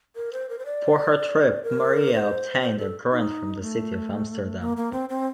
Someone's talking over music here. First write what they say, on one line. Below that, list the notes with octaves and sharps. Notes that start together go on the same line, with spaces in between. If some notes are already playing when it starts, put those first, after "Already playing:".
For her trip, Maria obtained a grant from the city of Amsterdam.
A#4
C5
A#4
C5
D5
A#4
C5
C5
A4
D#4
A3
A#3
A#3
C4
C4